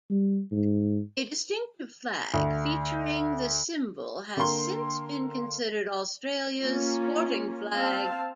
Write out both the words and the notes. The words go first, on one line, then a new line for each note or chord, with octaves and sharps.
A distinctive flag featuring the symbol has since been considered "Australia's sporting flag".
G3
G#2
D2
D3 A#3 G5 A#5 C6 G7
A#3 C#4 F4
C4 F5 A5